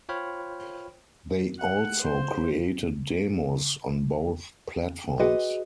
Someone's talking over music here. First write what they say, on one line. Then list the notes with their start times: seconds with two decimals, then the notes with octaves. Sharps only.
They also created demos on both platforms.
0.09 F4 C5 C#5 G5 B5 F6
1.59 F#5
2.03 C5
5.19 F#4 G#4 B4 D#5 G5